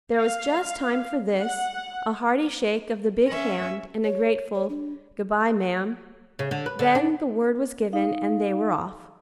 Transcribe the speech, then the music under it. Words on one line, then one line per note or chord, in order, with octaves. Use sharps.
There was just time for this, a hearty shake of the big hand, and a grateful "Good-by, ma'am;" then the word was given, and they were off.
F5
F#5
C#4 E5
C#5
C#5
D4
C#3
D3
B4
D3
D4
D#4 F5